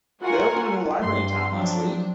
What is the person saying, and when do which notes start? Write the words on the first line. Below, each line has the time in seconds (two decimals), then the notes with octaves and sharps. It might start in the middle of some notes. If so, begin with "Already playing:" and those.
They opened a new library in town last week.
0.22 F4 F#4 A#4 F#5 G#5
1.00 G2 C6
1.54 F3 F#3 C4 D4